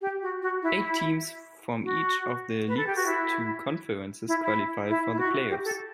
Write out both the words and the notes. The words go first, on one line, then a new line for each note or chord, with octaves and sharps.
Eight teams from each of the league's two conferences qualify for the playoffs.
G4
F#4
F#4
E4
F#4
B4
A4
G4
F#4
E4
E4
E4
E4
E4
F#4
G4
A4